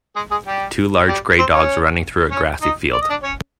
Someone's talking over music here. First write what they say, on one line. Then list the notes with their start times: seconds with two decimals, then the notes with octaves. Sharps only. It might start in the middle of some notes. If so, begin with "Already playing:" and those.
Two large gray dogs running through a grassy field.
0.16 G#3 G#4
0.31 G#3 G#4
0.46 G3 G4
1.08 G3 G4
1.39 C4 C5
1.53 C#4 C#5
2.31 C#4 C#5
2.62 D#4 D#5
2.93 D5
3.01 D#5
3.10 D4 D5
3.23 C#4 C#5